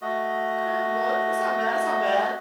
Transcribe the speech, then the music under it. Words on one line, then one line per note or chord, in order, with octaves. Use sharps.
Okay, a book, that's not bad, that's not bad.
A3 F#4 D#5